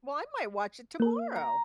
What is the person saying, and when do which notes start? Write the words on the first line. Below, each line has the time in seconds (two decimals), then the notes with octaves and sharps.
Well, I might watch it tomorrow.
1.00 A#3 A#4
1.36 A#5